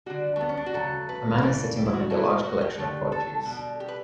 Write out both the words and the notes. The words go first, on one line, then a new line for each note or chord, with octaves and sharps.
A man is sitting behind a large collection of produce.
D3 G3 F#4
A3
B3
C#4
D4
F#4
C#3 F#3 A3 A4
B4
C#3 E3 G3 A4
G4
E4
F#4
B2 F#3 A3 E4
F#4
G4
D3 A3
A4
B2 G3
G4
B4